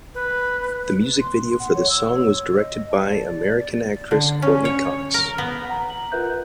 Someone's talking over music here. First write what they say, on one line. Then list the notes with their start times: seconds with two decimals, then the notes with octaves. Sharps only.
The music video for the song was directed by American actress Courteney Cox.
0.15 B4
1.20 C6
1.59 F#5
1.74 C#5
1.89 E6
2.12 C#5
2.54 D#5
2.91 A5
3.09 D5
4.11 D3
4.42 C#4
4.65 C#5
5.14 A#4
5.38 B3
5.69 F#5 A#5
5.90 F#7
6.12 F4 A#4 B4 E5 F#6 G6